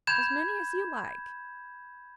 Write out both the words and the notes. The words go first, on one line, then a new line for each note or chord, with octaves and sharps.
"As many as you like."
B5 G6 G#6 E7